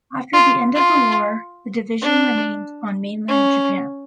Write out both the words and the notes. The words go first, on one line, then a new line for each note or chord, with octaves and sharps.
After the end of the war, the division remained on mainland Japan.
F4
F4
D4
C#4